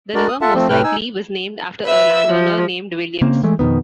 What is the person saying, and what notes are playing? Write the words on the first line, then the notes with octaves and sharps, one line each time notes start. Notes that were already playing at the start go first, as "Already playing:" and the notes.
The river most likely was named after a landowner named Williams.
G#3 D4 F#4 A#4 D5
D#6
F4 A4 E5 F#5 A5
F3 A3 C4
A2 C3 A3 B4 G5 F6
D#4 G#5 E6
B4 E5 E6
F3
C#3 A#3 C4
E3 G#3 A3
F2 B2 D#3 B3